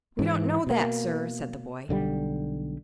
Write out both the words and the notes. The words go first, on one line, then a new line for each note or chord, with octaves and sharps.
"We don't know that, sir," said the boy.
G#2 E3
B2 A#3
B1 D3 E3 G3